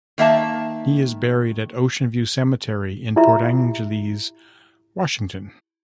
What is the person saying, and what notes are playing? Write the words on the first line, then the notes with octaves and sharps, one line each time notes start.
He is buried at Ocean View Cemetery in Port Angeles, Washington.
D#3 A#3 E5 A5
E4 F4 G4 E5 A#5